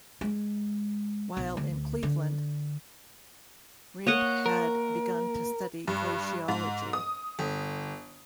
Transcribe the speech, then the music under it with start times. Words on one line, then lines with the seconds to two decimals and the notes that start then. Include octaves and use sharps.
While in Cleveland, Reid had begun to study glaciology.
0.21 G#3
1.37 B1
1.57 D2
2.03 D3
4.07 A#3 C#5 D#5 F#5
4.46 A#4
5.87 G2
6.48 G#2
6.93 D#6
7.39 G1